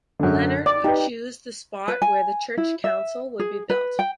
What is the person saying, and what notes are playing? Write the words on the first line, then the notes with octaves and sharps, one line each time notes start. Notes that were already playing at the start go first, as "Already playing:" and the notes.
Leonard would choose the spot where the church council would be built.
F#2 D3
D5 D6
D#4 G4 B4
B4
G#5
E4
E5
G#4
B4
G5